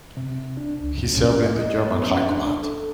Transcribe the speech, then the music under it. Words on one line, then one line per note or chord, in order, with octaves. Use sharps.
He served in the German High Command.
C3
D4
C#2
C#4
D#5
B3
C#4
D4
A4